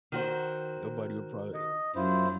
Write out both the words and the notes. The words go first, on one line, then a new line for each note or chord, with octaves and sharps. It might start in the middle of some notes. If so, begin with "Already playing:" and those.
Nobody will probably
D#3 F#4 C5
D#5
F#2 E4 F4 C5